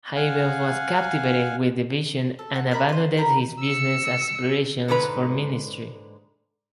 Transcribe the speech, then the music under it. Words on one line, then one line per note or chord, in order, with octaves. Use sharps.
Hybels was captivated with the vision and abandoned his business aspirations for ministry.
F5 F#5 G#5
A4
F#5
A#4 D5 A#5 B5
B4 C5
G4 A#4 A#5 B5
E6 C#7
G#2 D3 G#3 B4 A#5